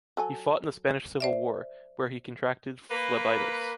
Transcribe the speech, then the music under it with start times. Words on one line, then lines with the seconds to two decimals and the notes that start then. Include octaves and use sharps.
He fought in the Spanish Civil War, where he contracted phlebitis.
0.17 F#3 A4 G#5
1.20 C5 D5 E5
2.90 A#3 B4